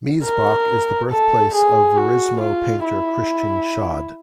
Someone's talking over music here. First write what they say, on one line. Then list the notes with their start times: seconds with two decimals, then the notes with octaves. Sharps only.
Miesbach is the birthplace of Verismo painter Christian Schad.
0.24 A#4
1.10 A4
1.55 G#4
1.97 F#4
2.41 F4
2.84 E4